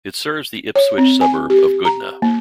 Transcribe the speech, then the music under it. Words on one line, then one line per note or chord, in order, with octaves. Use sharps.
It serves the Ipswich suburb of Goodna.
C#5
C4
G#5
G4
A#5
A#3